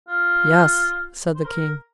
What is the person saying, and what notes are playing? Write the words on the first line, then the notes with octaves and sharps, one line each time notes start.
"Yes," said the King.
F4
C5
A#4